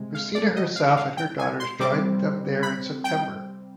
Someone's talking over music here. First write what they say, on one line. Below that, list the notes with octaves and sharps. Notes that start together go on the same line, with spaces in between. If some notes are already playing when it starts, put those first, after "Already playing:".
Christina herself and her daughters joined them there in September.
Already playing: C3 G#3
F5
D5
D#5
F5
F5
G5
G#5
C6
C3 G3 C4 D6
B5
G5